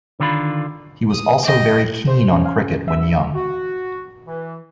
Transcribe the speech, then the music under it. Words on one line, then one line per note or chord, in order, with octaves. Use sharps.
He was also very keen on cricket when young.
D3 D#3 D4 F4 B5
D#6
D#5 G5
C5
C#4
F5
E5
F#4
E3